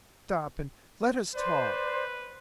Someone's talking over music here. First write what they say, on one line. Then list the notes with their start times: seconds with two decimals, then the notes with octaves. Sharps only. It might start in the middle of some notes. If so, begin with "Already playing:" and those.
"Stop, and let us talk."
1.35 B4 C5 D5